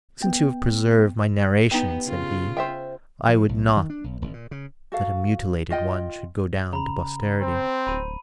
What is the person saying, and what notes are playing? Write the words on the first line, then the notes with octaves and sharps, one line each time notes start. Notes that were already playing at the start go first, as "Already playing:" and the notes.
"Since you have preserved my narration," said he, "I would not that a mutilated one should go down to posterity."
B3 G5
B3 D#4 G4
C#3 F4
C5 E5 G5
F3
B1
D#3
D4
B1
G#1
A#2
C#3
F#4 A4 F5
F4 D#5 G5
C#3 A#5 B5
C4 C5
D1 B5 D#7